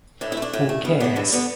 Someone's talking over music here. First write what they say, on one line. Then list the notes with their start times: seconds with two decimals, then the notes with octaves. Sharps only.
Who cares?
0.21 A2 D4
0.32 E4
0.37 A3
0.42 D4
0.53 A2
0.69 A3
0.85 G2 B3
1.00 B3 D4
1.04 D3
1.16 G2 D4
1.32 D3 B3 D4